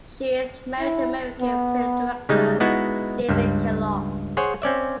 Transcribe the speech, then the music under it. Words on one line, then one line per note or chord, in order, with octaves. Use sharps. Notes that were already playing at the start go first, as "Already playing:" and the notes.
She is married to American film director David Kellogg.
E4
B3
C#3 G3 G#3 D#4
G#3 B3 D#4 E4 F#4
C#2 G2
G#4 C5 C#5 F#5
C4 C#4 D5 E5